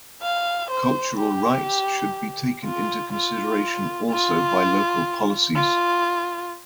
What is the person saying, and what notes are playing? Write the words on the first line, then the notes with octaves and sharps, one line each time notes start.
Cultural rights should be taken into consideration also by local policies.
F5
C5
G4
F4
F4
F4
F4